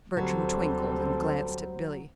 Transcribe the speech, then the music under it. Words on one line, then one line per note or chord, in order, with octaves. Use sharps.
Bertram twinkled and glanced at Billy.
D2 F#3 G3 C4 A4 C5